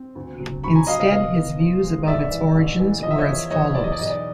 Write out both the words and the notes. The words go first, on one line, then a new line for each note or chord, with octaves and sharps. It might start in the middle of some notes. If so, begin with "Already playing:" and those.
Instead his views about its origins were as follows.
Already playing: C4
D2
F#3
D2 B5 C#6
G#5 A#5
F#3 D#5 F5
D#5 F5
B3 D#5 F5
B3
F3
G#3
A1 D5 E5
E3
A1
E3
F3 D#5
E5
C#5 D#5
E2
E2 C#5 D#5
E2 D5
D#5
D5
B1 D#5
D5